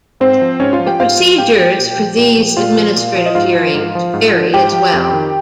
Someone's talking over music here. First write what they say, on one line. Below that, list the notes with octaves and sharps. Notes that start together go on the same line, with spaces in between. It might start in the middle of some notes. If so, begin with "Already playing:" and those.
The procedures for these administrative hearings vary as well.
G#2 C4 C5
F3
G#2 C#4 C#5
F4 F5
F3
G4 G5
G#2 F4 F5
F3
G#2 G4 G5
F3
A#2
F3
A#2
F3
A#2 F4 F5
F3
A#2
F3
D#5
G#2 F4 F5
F3
G#2
F3
G#2
F3
G#2 G4 G5
F3
F2
D#3